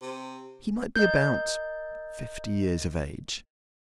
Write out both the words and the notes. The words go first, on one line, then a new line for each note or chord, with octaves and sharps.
He might be about fifty years of age.
C3
A#4 D#5 G6